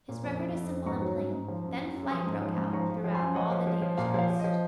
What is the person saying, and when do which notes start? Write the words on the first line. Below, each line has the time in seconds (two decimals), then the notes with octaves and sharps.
His record is simple and plain:--"Then flight broke out throughout all the Danish host."
0.09 A#2
0.24 F2
0.39 F2
0.55 F2
0.71 F2
0.86 G#2 A#5 C#6
1.02 F#3
1.18 G#2
1.33 G#2
1.48 F3
1.64 F#2
1.80 F#2
1.96 F#2
2.11 F3 C6 D#6
2.27 G#2
2.42 F3
2.57 G#2
2.73 F3 A#5 C#6
2.89 F3
3.04 F3
3.14 G#5 C6
3.20 F#2
3.35 F3 D#5 F#5
3.51 F3
3.67 F3
3.82 F3
3.98 A#2 F5
4.14 F3 F5
4.30 F3
4.40 F3 D#5